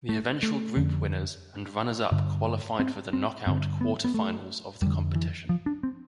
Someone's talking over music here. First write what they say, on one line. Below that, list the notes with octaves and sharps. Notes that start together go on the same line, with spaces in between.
The eventual group winners and runners-up qualified for the knock-out quarter-finals of the competition.
A3
A3
F2 D3
G2 D3
C4
C4
G2 D3 C4
B3
B3
A3
F2 D3 G3
E3
F3
D4
C4